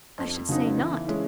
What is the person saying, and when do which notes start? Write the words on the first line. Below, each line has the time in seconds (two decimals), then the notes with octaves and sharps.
I should say not!
0.19 F2
0.49 C#3 F#3 B3 D#4
0.78 E3
1.06 G#3 C#4 E4